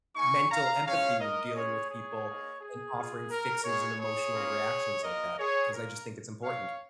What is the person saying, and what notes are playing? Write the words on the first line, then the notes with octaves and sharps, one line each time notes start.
m mental empathy when dealing with people, and offering fixes, and emotional reactions like that because I just think it's important.
A#3 D#4 G#5 C#6
F5 A#5
G#3 C#4 F4 C#5 F5
A#4 D#5
G#3 C#4 F4 G#4 C#5
G#4 C#5
A#3 D#4
G#4
A#3 F4
A#4
A#3 D#4 G#4 C#5
G#4 C#5
A#3 C#4 F4
A#3 F4 A#4 D#5
G#4 C#5
A#3 F4 A#4
A#3 D#4 C#5 F5